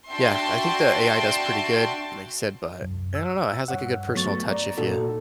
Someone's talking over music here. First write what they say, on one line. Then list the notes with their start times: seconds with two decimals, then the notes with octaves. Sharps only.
yeah, I think the AI does pretty good, like you said, but I don't know. It has, like, a good personal touch if ya
0.12 D4 F#4 E5 G5 A5 C6
2.81 C2 F#2
3.15 E6
3.68 G2 C#5 F#5
4.15 F#3 A3 B3 C#6 A6
4.49 D5 A#5
4.78 A#2 A#3 D#4 F#4 A4